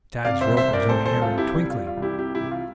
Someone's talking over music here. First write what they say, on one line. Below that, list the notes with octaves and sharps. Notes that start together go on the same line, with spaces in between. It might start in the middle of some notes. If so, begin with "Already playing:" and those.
Tad's rope was in the air in a twinkling.
C3 D5 F5
C5 E5
C2
C5 E5
C2
A#4 D5
C2 A4 C5
A4 C5
C2
F4 A4
C3
E4 G4
G3 E4
F4
G3
F4
C2
E4 G4
C3 E4 G4
E4 G4
C2
F4